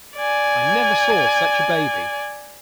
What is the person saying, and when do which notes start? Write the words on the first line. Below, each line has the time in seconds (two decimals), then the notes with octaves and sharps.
'I never saw such a baby.'
0.17 D5 G#5